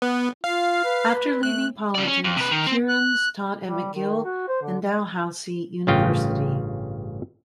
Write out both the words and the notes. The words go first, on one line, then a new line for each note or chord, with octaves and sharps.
After leaving politics, Kierans taught at McGill and Dalhousie University.
B3
F4 F5
B4
A3 F#6
C#3 D5
C#4
F2
C3 B4
D#3
C4
F#6
G3
D#3
F#4
C5
D3
A1 G2 C#3 F4 G5